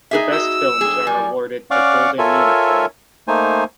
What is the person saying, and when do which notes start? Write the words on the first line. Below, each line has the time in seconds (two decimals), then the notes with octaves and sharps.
The best films are awarded the "Golden Unicorn".
0.11 D#4 G#4 E5
0.32 F#4 D#5 E6
0.81 G2 D3 G#4
1.07 F#2 G3 G#5
1.71 C#4 D5 F5 F#5 C#6 D6
2.19 F4 A4 A#4 C#5 E5 G#5
3.28 A3 A#3 D#4 C5 G#5